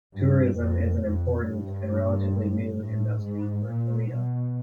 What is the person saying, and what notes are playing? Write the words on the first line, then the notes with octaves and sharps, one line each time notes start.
Tourism is an important, and relatively new, industry for Toledo.
G2
F2
F2
G2
A2
G#2
A#2
B2